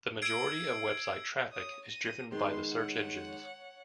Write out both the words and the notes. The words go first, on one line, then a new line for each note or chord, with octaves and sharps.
The majority of website traffic is driven by the search engines.
E6 G#6 C7 D7
C#5 D#6
A#6 D#7
D#3 G#3 B3 C6
C#5 F#5